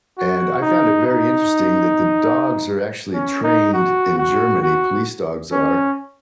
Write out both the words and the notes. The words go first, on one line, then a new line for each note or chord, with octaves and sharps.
and I found it very interesting that the dogs are actually trained in Germany- police dogs are
F#4
D#4
D#4
C#4
D#4
F#4
F#4
F#4
C#4